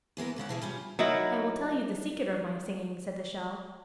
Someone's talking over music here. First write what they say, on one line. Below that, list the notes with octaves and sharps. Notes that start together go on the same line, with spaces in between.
"I will tell you the secret of my singing," said the shell.
E2 E3 B3 A#4
E2 C#3 C#4 F#5
B2 E3 G#4
G3 C#4 F4
F#3 D#4 E4 A#4